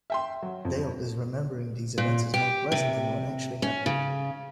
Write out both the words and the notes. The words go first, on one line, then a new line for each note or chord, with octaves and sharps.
Dale is remembering these events as more pleasant than what actually happened.
E5 G5 C6
F#3
F2
A#2
G4
C3
C#4
C#3